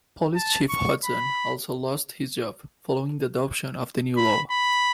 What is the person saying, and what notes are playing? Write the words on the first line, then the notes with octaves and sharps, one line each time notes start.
Police Chief Hudson also lost his job, following the adoption of the new law.
A5
C#6
B5
B5
B5